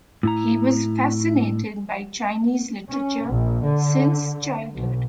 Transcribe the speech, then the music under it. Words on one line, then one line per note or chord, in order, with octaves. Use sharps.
He was fascinated by Chinese literature since childhood.
A2 E4 A#5
C#4
A#1
D3
B1